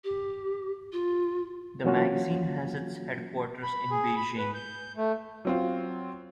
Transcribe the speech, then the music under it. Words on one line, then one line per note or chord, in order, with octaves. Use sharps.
The magazine has its headquarters in Beijing.
G4
F4
E3 F#3 A#3 C#4 F4 F#4
B5
G#4
B5
B4
G6
A3
F#3 C4 F4